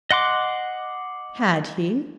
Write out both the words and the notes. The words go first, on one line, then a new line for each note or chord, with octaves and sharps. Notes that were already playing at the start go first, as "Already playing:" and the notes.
Had he?
D#5 F#5 C6 D6